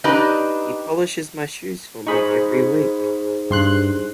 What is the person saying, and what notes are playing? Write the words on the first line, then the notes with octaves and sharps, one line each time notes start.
He polishes my shoes for me every week.
D4 D#4 G4 B4 D5 D#5
D#4 G#4 C5 B5 C#6
G2 C6 F#6